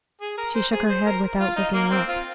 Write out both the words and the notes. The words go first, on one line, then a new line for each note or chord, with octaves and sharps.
She shook her head without looking up.
G#4
A#4
C5
G#4
C5
A#4
F4
D#4
A#3
C4
F4